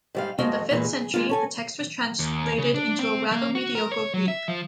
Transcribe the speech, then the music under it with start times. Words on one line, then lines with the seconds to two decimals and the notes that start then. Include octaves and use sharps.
In the fifth century, the text was translated into a rather mediocre Greek.
0.15 G#2 G3 F5
0.38 F2 G#3 A3 F#4 D#5 F5
0.70 E2 A#2 E3 G#3
0.85 G#4
1.14 G#3 A#3 F4
1.29 C#4 A4 G#5
2.19 D#2
2.58 C#3
2.74 D4
2.99 C4
3.32 A#3
3.55 F#4
3.75 A#4
3.91 C#5
4.14 F#3
4.28 E5
4.48 F3